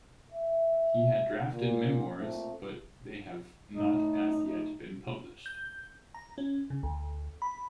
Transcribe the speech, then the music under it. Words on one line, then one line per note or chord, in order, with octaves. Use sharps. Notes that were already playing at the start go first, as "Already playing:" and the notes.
He had drafted memoirs, but they have not as yet been published.
E5
A#2
A#2 A3 C4
A2 D#4
G6
A#5
C#4
C#3
D2
B5